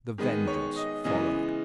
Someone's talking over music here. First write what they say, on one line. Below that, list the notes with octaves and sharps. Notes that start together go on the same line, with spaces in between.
The Vengeance followed.
D#3 G#3 B3
C#5
D#5
C#3 E3 G#3 B3 D#5